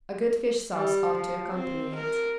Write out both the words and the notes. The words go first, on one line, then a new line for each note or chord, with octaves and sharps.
A good fish-sauce ought to accompany it.
G3
F3
C4
A#4